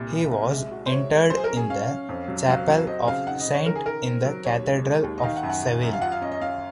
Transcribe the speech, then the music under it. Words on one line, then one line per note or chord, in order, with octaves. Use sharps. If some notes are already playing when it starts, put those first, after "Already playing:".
He was interred in the chapel of Saint in the Cathedral of Seville.
Already playing: C2 A#2
A#2
C2
G#3
F#4
C5
G#3 C#5
G#3
F#3 C5
G#4
A#4
C#4
G#4
C#4 F5
C#4
F2
F#3
F#3 F5
F#3
C4 D#5
C#3 F5
D#4 F#5
D#5
C#3
C#5
D#3 A#4
G#4
D#3 A#4
C4
F#3
D#2 C#5
G#3
G#3
D#2
D#5
D#3 F5
F#5
F#2
F#5
F#2
F#2
F5
F4 F#5
F5
C#4 D#5
D#5
C#4 F5